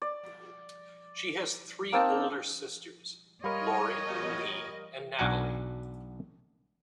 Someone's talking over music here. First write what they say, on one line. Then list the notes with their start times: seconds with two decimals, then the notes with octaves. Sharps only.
She has three older sisters; Lori, Lee, and Natalie.
0.02 D5
1.93 A#3 C4 D#4 A5
3.44 G3 A#4 C#5 D#5 F5 B5 C6
5.19 B1 D4 F#4 F#5 G#5 A#5